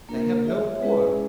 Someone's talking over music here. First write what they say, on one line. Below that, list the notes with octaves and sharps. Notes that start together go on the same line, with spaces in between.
They have no poor.
A#3 D4 F4 A#4
F4 G#4 C#5 E5
G#3 C#4 E4 G#4 B4